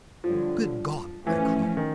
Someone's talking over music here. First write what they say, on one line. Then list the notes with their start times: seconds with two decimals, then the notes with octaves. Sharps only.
"Good God!" I cried.
0.23 G2 D3 F3 F#3
1.26 A2 E3 F3 A3 C#4
1.77 D#3